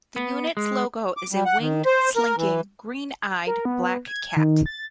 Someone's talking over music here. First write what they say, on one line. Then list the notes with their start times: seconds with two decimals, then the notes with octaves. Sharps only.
The Unit's logo is a winged, slinking, green-eyed, black cat.
0.16 B3
0.57 G#3
1.17 D6
1.32 G3
1.45 F#5
1.60 D#3
1.86 C5
2.16 A#4
2.37 E3
3.47 A#4
3.65 B3
4.07 G#6
4.37 D#3
4.66 A6